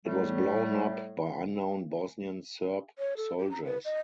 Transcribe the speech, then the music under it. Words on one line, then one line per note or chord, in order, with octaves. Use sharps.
It was blown up by unknown Bosnian Serb soldiers.
A2 G3 A3
C#5
A4
G4
A#5
B4
D#5